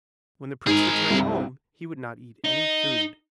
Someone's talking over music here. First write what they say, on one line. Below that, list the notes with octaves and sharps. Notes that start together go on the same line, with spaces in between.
When the prince returned home he would not eat any food.
G#2 D#4 G#4 A#4
C2 G2 C3
D#4 D#5